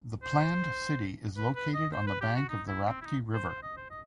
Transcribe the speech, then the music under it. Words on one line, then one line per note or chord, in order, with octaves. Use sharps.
The planned city is located on the bank of Rapti River.
C5
B4
B4
D#5
C5
B4
G4
F#4
D#4
E4
C4
E4
D#4
C5
C5
D#5
C5
D#5